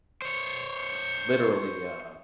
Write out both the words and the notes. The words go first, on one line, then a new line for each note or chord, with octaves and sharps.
um, literally, uh
C5 C#5